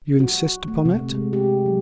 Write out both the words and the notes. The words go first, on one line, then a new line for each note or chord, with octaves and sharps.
"You insist upon it?"
F#4
A3
C3
G#3
G4
F#3